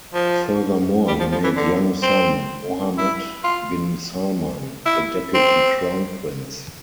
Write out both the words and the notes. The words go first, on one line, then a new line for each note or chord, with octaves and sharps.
Furthermore he made young son, Mohammed bin Salman the Deputy Crown Prince.
F3
G3
F3
F3
E3
D3
C4
E4
F4
E4
C4